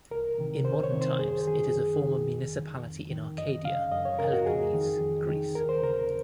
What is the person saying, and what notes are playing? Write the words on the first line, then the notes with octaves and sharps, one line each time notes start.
In modern times it is a former municipality in Arcadia, Peloponnese, Greece.
C2 A#4
C3 D#3
C2 C5
C#5
C3 D#3
C5
F#2 G#4
D#3 G#4
F#2
D#3
F2
D#3
F2
D#3
F#2 D#5
C#3 F5
F#2 D#5
C#5
C#3 A#4
F#4
F2 G#4
D#3
F2
D#3
D#2 A#4
C5
C#3 A#4